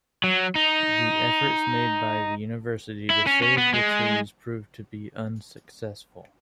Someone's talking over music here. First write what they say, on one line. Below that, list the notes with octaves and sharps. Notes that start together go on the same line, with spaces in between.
The efforts made by the university to save the trees proved to be unsuccessful.
F#3
D#4
E4
C#4
C#4
B3
G#3